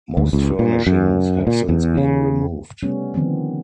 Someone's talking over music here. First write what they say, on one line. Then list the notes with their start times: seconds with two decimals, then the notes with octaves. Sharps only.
Most furnishings have since been removed.
0.17 D2
0.33 C#2
0.59 A#2
0.87 F#2
1.47 A#2
1.69 E2
1.97 C#3
2.83 C3 G3 A3 B3 C#4
3.14 D3 D#3 F3 B3 C4